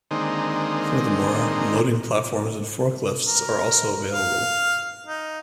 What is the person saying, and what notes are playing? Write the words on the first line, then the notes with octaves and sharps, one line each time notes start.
Furthermore, loading platforms and forklifts are also available.
D3 D#3 G#3 A#3 C4 D#4
A#4
F5
D#4